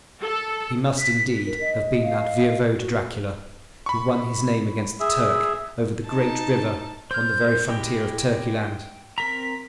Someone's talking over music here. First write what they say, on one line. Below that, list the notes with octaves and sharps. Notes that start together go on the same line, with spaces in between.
He must, indeed, have been that Voivode Dracula who won his name against the Turk, over the great river on the very frontier of Turkey-land.
A4
B6
A#4
D#5
F5
F#4
B5 C#6
G#4 E5
D#4 A5
C5 F6 G6
G#3 E4 G4 G5
C4 A#4 A#5 B6